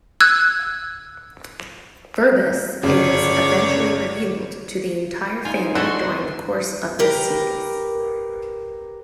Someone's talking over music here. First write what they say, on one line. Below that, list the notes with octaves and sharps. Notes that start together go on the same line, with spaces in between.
Ferbus is eventually revealed to the entire family during the course of the series.
E6 F#6 G#6
G1 C#3 C#5 D5
D#4 F4 G#5
D4 E4 F#4 A4 C6
G4 A#4 B4